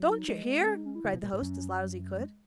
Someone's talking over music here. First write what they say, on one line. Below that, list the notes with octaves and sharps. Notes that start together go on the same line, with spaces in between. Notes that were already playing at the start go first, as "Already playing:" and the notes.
'Don't you hear?' cried the host as loud as he could.
Already playing: F#3
D#4
G#3
B3
C#4
D#4
C#4
E4
C#3
B2
A#2
G#2
F#2 C#4
F#3
G#3